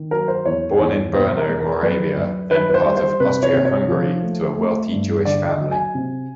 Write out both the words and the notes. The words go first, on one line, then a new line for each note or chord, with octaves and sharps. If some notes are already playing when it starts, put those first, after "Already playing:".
Born in Brno, Moravia, then part of Austria-Hungary, to a wealthy Jewish family.
Already playing: D#3
F#3 A#4
C5
E2 C#5
E2 C#5
B2 C5
A#4
G#3
A#4
F#2 B4
F#2
D#3 B4
B4
C5
G3
C5
C3 B4
C#5
C3
C#5
F3
A3
A3
G2
D3 D5
D#5
F#3
G#5
C3